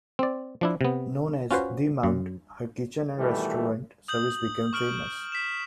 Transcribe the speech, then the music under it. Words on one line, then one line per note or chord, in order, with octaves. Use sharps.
Known as "The Mount", her kitchen and restaurant service became famous.
C4 D5
F3 D4 E4
C3 B3
C#4 F4 F#4 B4 C5
F#2
B2 D#3 E3 G3 A3
D#6 G6 F#7
C#6 F6 D7 F#7
B6 E7